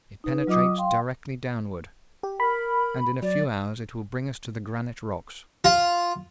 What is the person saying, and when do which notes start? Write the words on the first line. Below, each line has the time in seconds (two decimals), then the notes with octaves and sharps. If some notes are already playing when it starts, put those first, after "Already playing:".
It penetrates directly downward, and in a few hours it will bring us to the granite rocks.
0.24 D#4 B4
0.47 F#3 F4 D#5 D6 D#6
0.78 F5 G5 C6
2.23 G4
2.40 A#4 B5
3.22 F#3 D5
5.64 F4